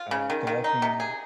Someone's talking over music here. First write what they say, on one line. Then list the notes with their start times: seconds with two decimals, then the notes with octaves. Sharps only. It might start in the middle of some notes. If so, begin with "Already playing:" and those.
uh, golfing,
Already playing: F4
0.11 C#3
0.30 D#3
0.47 D#3
0.64 D#4
0.82 C3
1.00 G#4